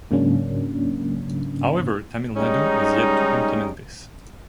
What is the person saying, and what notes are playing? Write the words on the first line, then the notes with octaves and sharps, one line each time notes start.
However Tamil Nadu is yet to implement this.
G#2 C#3 F#3 A#3 C#4 D4
G3 G#3 C#4 D#4